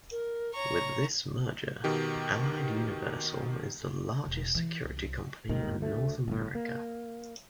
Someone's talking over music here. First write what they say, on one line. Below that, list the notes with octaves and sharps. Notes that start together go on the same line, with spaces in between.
With this merger, Allied Universal is the largest security company in North America.
A#4
C#5 A#5 C#6
B2 D#3 G4
E1
E3
C2
G1 D#2 G#2 D#3
D2 A3
G1 A2
A#3